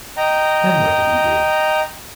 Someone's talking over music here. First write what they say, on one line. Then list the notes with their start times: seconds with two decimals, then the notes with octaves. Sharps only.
Then what did he do?
0.17 D#5 G5 A#5